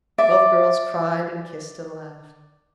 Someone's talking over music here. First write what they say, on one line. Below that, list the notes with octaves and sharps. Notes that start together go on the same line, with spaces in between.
Both girls cried and kissed and laughed.
D5 E5